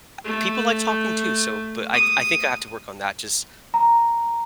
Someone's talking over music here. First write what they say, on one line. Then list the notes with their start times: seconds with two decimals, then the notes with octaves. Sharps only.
uh, people like talking too, so, but I I think I have to work on that just
0.24 A3
1.94 D#6
3.74 A#5